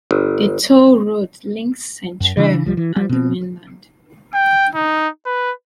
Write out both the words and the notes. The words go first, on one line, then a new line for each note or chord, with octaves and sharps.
A toll road links Centrair and the mainland.
G1
F#2
C#3 E3 C#4 D4
C2 F3 G3
E3
G3
B2 C4
G5
D#4
B4